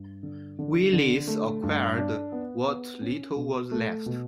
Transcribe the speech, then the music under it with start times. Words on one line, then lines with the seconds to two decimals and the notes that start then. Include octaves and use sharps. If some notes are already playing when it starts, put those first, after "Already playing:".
Willys acquired what little was left.
Already playing: G2
0.23 D3
0.59 D3
0.93 D3
1.27 A3
1.63 G2
1.98 D4
2.32 B3
2.67 B3
3.02 C#4
3.36 B2
3.71 A3
4.06 B2